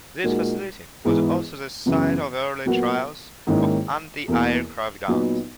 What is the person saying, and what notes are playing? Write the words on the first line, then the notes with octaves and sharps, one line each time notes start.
This facility was also the site of early trials of anti-aircraft guns.
A#2 G#3 D#4 F#4 A#4
G#2 E3 B3 E4 G#4
F#2 C#3 E3 B3
A#2 F#3 B3 F#4 A#4
G#2 D#3 A#3 C#4 E4
E2 B2 A#3 E4 A#4
A#2 F#3 B3 D#4